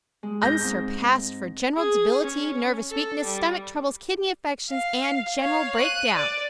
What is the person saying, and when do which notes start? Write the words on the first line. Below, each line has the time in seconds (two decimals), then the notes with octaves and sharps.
UNSURPASSED for General Debility, Nervous Weakness, Stomach troubles, Kidney affections and General Break-Down.
0.23 G#3
0.43 G6 A#6
0.60 G#2 C4
1.76 G#4
2.23 C#4
2.90 A4
3.24 G3
4.70 F5
5.40 C#5 F5
5.76 F#6 D#7
6.16 D5